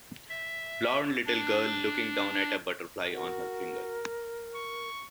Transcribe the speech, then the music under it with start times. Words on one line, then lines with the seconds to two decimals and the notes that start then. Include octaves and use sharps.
Blond little girl looking down at a butterfly on her finger.
0.30 E5
1.26 D4
3.10 F#4 A#4
4.55 C#6